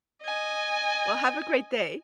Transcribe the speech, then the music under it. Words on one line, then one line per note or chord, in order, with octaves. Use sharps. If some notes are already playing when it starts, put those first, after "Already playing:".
Well, have a great day.
D#5 G#5